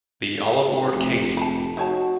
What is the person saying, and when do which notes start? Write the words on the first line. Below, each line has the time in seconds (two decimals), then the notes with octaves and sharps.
The All Aboard Katy!
0.93 F1
1.37 A5 B5
1.77 D#4 F#4 C#5 A5